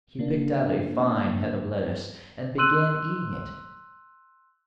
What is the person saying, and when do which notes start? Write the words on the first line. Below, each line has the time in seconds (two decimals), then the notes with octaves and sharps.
He picked out a fine head of lettuce, and began eating it.
0.19 C#3 A#3 D4
2.58 C6 E6 F#6 D#7 F#7